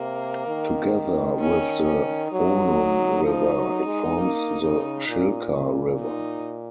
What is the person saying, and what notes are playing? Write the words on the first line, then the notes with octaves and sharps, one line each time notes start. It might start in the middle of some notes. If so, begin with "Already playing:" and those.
Together with the Onon River, it forms the Shilka River.
Already playing: C3 A#3
D#3
C#4
C#4
F#3 D#4
F3
F#3
G#3
A#3
C#3
A#2
D#4